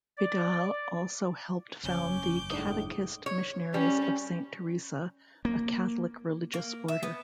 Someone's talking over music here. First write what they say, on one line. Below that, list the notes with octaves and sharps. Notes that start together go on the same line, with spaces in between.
Vidal also helped found the Catechist Missionaries of Saint Theresa, a Catholic religious order.
D5
F#1 E2 C#4 D6 G6
A2 G#3 D4 D#4 D#6
C#5
G3 C#4
A#3
A#3
E5
B3